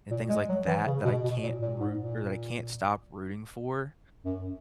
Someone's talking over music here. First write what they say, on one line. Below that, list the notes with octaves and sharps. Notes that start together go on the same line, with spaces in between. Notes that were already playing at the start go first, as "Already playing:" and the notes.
and things like that, that I can't root or that I can't stop rooting for,
A#2
G#3
F#3
E3
C#3
B2
B2
A#2
A#2
G#2
A#2
F#2